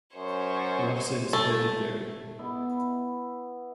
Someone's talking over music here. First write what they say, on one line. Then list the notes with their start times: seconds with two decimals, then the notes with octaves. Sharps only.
Roxen is vegetarian.
0.15 F#2 C5 C#5
1.33 A3
2.39 B3 E4